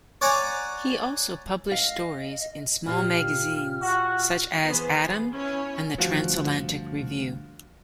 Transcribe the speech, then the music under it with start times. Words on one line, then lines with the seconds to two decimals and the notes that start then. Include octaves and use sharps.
He also published stories in small magazines such as "Adam" and the "Transatlantic Review".
0.21 C#5 D5 F#5 G#5 A#5
1.71 D#5 F5
2.87 A#2 F4 G4 F6
3.82 F#4
4.65 E3 B3 G#4 C5
5.34 C#4 E4 C#5 G#5
5.98 D2 G2 F3 F#4